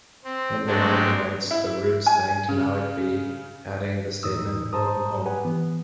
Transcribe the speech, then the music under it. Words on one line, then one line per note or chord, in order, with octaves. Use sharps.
In the liner notes, The Roots thanked Malik B, adding the statement: "Welcome Home".
C4
F#3 G#3 A3 C4 D4 D5
E4
G#5
C#3
E2 A2 D#4 D#6 E6
C5 A5 A#5 D#6
G4 B4 F#5 G#5
E3 B3